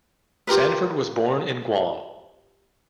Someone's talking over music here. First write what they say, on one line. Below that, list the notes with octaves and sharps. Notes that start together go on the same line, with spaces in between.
Sanford was born in Guam.
F4 G4 A#4 B4